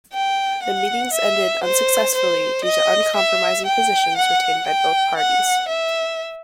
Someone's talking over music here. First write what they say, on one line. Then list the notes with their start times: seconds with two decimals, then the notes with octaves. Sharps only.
The meetings ended unsuccessfully due to uncompromising positions retained by both parties.
0.13 G5
0.64 F#5
1.14 E5
1.64 C5
2.15 C5
2.65 D#5
3.16 E5
3.66 G5
4.17 F#5
4.67 G5
5.17 F#5
5.69 E5